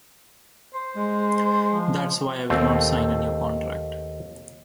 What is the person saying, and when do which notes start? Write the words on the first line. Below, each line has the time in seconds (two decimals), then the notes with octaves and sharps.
That's why I will not sign a new contract.
0.74 C5
0.96 G#3
1.73 F3
2.50 D#2 A3 C4